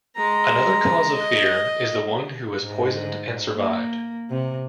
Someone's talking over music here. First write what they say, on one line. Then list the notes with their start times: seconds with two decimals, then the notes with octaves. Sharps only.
Another cause of fear is the one who was poisoned and survived.
0.16 G#3 A#5
1.15 D#5
2.63 G#2
3.54 A#3
4.30 C3